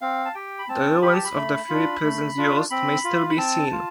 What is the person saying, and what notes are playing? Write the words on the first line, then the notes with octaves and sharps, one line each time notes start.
The ruins of the three prisons used may still be seen.
C4 F5
A5
G4 G5
B5
C4 A5
G4 B5
A5
B5
A3
D4 F4
A3
D4 F4
C4 B5
F4
B5
C4 A5
F4